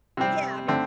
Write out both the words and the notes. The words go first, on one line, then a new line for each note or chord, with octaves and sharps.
Yeah, I mean,
C3 G3 C4
D3 A3 C4